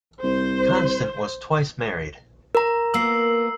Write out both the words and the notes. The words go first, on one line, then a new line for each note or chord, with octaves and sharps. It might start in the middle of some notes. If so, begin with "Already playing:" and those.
Constant was twice married.
C2 C5
A#4 A#5
A#3 B3 F4 E6 C7